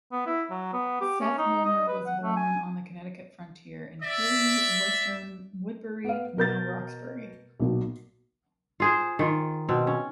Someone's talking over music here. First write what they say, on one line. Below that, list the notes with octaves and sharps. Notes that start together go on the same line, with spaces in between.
Seth Warner was born on the Connecticut frontier in hilly western Woodbury, now Roxbury.
B3
E4
F#3
B3
G4
C#4
D#4
D#5
B4
F#5
A3
G#5
D5 E5
B3 F5
B2 A#4 G6 A6
B1 A#2 F#3
F4 G#4 C5
D#3 F4
B2 C4
C#4